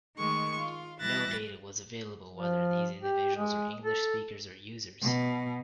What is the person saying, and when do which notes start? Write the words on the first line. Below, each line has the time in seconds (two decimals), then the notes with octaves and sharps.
No data was available whether these individuals were English speakers or users.
0.16 D#3 G#3 A3 C#6
0.57 F4
1.00 E3 G3 E5 F#6 A6 A#6
2.34 F3
3.00 G4
3.35 G#3
3.85 A4
5.02 B2